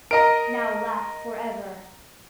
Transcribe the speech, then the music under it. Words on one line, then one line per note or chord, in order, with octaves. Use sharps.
"Now laugh for ever!"
A#4 D#5 A#5 D7